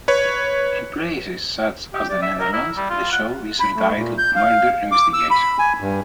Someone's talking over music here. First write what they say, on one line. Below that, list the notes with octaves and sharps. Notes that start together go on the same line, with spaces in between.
In places such as the Netherlands, the show is retitled "Murder Investigation".
B4 C#5
G4
D5
E5
A#4
E4
G3
F4
F#5
B5
A3
A#2
G6
F5
D6
E6
B5
G#5
G2